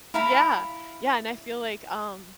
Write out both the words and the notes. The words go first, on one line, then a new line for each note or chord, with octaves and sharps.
Yeah, yeah, and I feel like, um,
E4 F5 A#5 B5